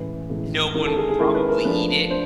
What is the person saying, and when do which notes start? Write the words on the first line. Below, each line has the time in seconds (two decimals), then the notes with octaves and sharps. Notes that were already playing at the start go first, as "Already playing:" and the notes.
no one would probably eat it.
Already playing: A2 E3 G#3 C#4 B4
0.30 A2 E3 G#3 C#4
0.74 D#3 G#3 C#4 E4 A#4
0.86 A4
0.97 G#4
1.09 G#4
1.20 D#3 G#3 C#4 E4 A#4
1.35 B4
1.49 A#4
1.64 F3 A3 D4 B4
2.10 D4 C5